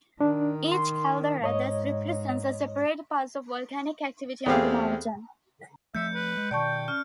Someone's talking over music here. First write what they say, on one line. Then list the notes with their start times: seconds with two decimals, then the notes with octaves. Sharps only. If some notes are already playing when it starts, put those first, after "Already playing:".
Each caldera thus represents a separate pulse of volcanic activity on the mountain.
0.21 D#3 D4
0.72 C6
1.44 G#2 C#5 D#5
4.46 E2 A3 C4 G4 G#4 F5
5.95 F3 A3 E5 G6 C#7
6.14 B4
6.37 G#3
6.51 B2 D#3 D5 G5 A5 C#6
6.88 C#4 F6